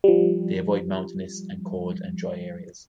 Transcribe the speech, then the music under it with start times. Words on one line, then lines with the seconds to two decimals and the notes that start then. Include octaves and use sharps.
They avoid mountainous and cold and dry areas.
0.04 F3 G3